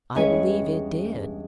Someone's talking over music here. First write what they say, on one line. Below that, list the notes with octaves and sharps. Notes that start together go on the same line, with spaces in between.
"I believe it did."
E2 G2 G#3 B3 C#4 G#5